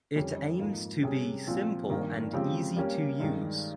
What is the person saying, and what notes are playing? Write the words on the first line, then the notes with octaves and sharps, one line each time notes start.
It aims to be simple and easy to use.
F2 D#3 G3 C#4
G#2 F3 A#3 D#4
C3 G3 C#4 G#4
A#2 F3 C4
G2 D#3 A#3
C#3 F3 G#3 C4 G4
G3 A#3 C#4 G4
G2 D#3 G#3